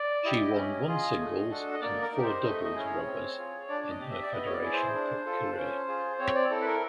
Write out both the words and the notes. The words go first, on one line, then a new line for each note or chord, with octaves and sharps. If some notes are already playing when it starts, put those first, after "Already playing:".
She won one singles and four doubles rubbers in her Federation Cup career.
Already playing: D5
E4 G4 D#5
C#4
F4 G#4
A3
D4 F#4 A4
D#5
A#3 D5
A#4
D#4 G4
C5
A3 D#5
D#5
C#4 E4 G#4
C#5
C4
F4 G#4
D4 D5
D5
D#5
G4
E5
D5
B3 D#5
C#5
D5
E4 G#4
C5
D4
F4 A4
C#4
F4 G#4
C4 C#5
D5
E4 A4
B4
A#4